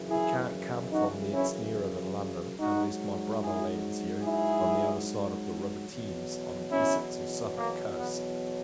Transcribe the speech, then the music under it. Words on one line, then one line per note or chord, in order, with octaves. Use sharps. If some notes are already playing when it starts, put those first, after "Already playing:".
You can't come from thence nearer than London, unless my Brother lands you on the other side of the river Thames, on the Essex or Suffolk coasts.
Already playing: F#2 C#3 E3
E4 G#4
D#4 F#4
C#4 E4
G#2 F#3 D#4 F#4
E4 G#4
E4 G#4
E2 B2 F#3
C#4 E4
A#3
B3